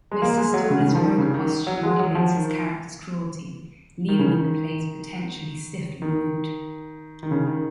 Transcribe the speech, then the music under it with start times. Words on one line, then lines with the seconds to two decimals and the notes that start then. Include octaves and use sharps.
Mr. Staller's rogue posture modulates his character's cruelty, leavening the play's potentially stifling mood.
0.12 G#3
0.22 A#3
0.37 G#3
0.54 F#3
0.70 C#3
0.81 C#3
0.87 D#3
0.95 F3
1.02 D#3
1.18 C#3
1.34 D#3
1.67 F#3
1.83 G#3
1.99 F#3
2.15 F3
2.36 D#3
4.08 D#3
4.19 C#3
4.30 D#3
6.02 D#3
7.23 D#3
7.31 C#3
7.47 D#3